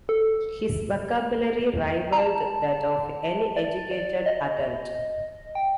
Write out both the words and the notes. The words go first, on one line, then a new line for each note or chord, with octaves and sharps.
His vocabulary rivaled that of any educated adult.
A4
A#5
A5
D5
D5
D#5
G5